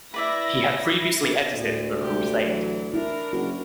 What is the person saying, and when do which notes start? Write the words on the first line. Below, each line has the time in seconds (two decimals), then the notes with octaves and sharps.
He had previously edited "The Crusade".
0.14 E4 B4 D5 E5 A#6
1.54 D2 A2
1.98 C3 G4
2.42 E3 F#3
2.94 D4 E4 A#4
3.33 F#1 F#4